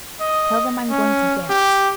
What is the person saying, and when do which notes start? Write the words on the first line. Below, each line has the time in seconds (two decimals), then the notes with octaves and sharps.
Tell them I'm going to dance.
0.21 D#5
0.90 C#4
1.50 G4